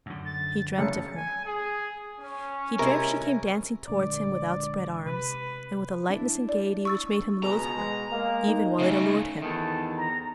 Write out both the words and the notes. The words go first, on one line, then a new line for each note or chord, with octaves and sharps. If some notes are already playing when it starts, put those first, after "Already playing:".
He dreamt of her; he dreamt she came dancing towards him with outspread arms, and with a lightness and gaiety which made him loathe her, even while it allured him.
F#2 D3
A6
F#1 C#7
G#5
G#4
C#4
C3 G#3 E4 A#4
A#1 D3 G#3 D5
C3 B4
D4 E4 E5
D5
C#6 E6 A6
C#2 B2 G#4 A#5
B2 G#3
G#3 A#3 F5
D#4
F#2 C#3 A3 C#4
E2 D#3 A4
A#5